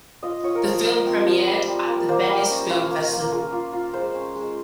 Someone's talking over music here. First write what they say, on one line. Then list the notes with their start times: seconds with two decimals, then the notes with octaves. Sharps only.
The film premiered at the Venice Film Festival.
0.23 F4 D#5
0.43 F4 C#5
0.55 A#4
0.64 F3 C5
0.85 F4 A#4
1.06 C4
1.26 F3
1.47 G3
1.67 G3
1.88 A#3
2.08 A#3 C5
2.29 G3
2.50 C#4
2.71 F4
2.90 A#3
3.11 A#3
3.32 F4
3.52 F4
3.73 F4
3.94 G#3 C5
4.14 C#4
4.36 G#3